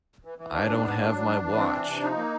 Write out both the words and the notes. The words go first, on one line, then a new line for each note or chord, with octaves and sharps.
I don't have my watch.
E3
E3
G#2 D4
G#2
B3
A#2
F#3
F#3
E3
C4
E3
C3
F3 D#4
A#3